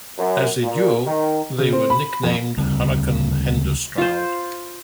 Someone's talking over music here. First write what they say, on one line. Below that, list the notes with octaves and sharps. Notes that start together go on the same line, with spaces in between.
As a duo, they were nicknamed "Hurricane Henderstroud".
F#2
A#2
D#3
C#3
C4
B5
F2
D2 C#3 G3 C4
F4 C5